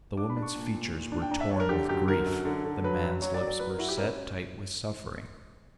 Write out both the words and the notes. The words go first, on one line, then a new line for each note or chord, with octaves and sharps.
The woman's features were torn with grief; the man's lips were set tight with suffering.
D4 D6
B5
D4
C#6
A#2
A#2
A#2
D4
G5
D4 A#5
E5
D4 C#5
A#4
D3 G4
F#2 G4
D3 A#4
F#2
D3
D3
F#3 B4
F#2
F#3 C#5
D5
F#3
D5
F#3 B4
A#4
E4 F#4
G4
C#4 A#4